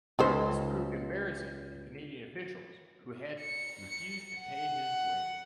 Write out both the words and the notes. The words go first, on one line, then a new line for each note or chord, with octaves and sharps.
This proved embarrassing to Canadian officials who had refused to pay his way.
C#2 D#3 A4 C5
C#7
F#5